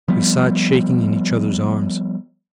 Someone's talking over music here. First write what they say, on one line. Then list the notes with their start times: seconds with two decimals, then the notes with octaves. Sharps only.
We sat shaking in each other's arms.
0.08 F3 G3 B3